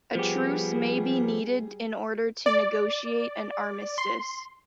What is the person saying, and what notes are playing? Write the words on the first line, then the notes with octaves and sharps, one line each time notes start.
A truce may be needed in order to negotiate an armistice.
F3 G3 B3 G4 G#4
D5
C6